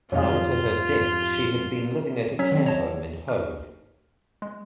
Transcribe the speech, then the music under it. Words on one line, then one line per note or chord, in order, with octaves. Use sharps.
Prior to her death she had been living at a care home in Hove.
F2 G#2 C3 F4 C#5 F5
F#3 C#4 C#5 B6
D#3 C4
C#5 D#5 A5
F6
G#3